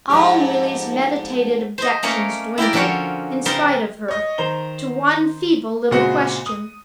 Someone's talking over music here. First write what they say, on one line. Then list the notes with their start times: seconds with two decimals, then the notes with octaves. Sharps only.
All Neelie's meditated objections dwindled, in spite of her, to one feeble little question.
0.09 F2 G#2 G4
1.78 C5 D#5
2.03 A3 A#3 C#4 A#4 C#5
2.58 E4 G4 A#4 D5
2.73 D3 F3 C#4 F#4 C5 C#5
3.45 C#3 G3 C4 A#4
4.08 C#5 D#5 D#6
4.38 D#3 C5 A#5 G7
5.91 A#2 C#3 G#3 C4 F#4 C#7
6.46 D#6